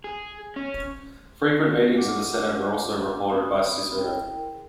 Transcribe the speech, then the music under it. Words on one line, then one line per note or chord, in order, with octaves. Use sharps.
Frequent meetings of the Senate are also reported by Cicero.
G#4
C#4
A3 C#4 F4 G#4 F#5 D6
C4 B5 D#6
E4 G#4 A#4 G5